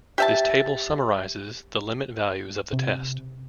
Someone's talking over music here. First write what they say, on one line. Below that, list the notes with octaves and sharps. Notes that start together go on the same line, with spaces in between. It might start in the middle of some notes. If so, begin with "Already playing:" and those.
This table summarizes the limit values of the test.
G4 E5 A5
C3